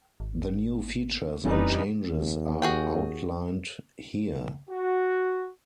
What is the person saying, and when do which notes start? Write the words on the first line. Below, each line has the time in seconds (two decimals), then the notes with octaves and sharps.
The new features and changes are outlined here.
0.20 G#1
1.45 D#1 F2 E3 G3 C4 C#4 D#4 B4
2.11 D#2
2.62 F#4 G#4 G5
4.70 F#4